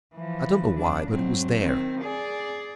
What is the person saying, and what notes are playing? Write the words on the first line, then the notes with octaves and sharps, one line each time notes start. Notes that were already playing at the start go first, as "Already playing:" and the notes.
I don't know why, but it was there.
E3 F3
F2 D4
F#3 C4
D#3 C4
G#4 D5